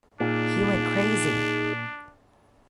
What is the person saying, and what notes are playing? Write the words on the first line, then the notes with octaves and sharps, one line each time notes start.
He went crazy!
A#2 D4 D#4 G#4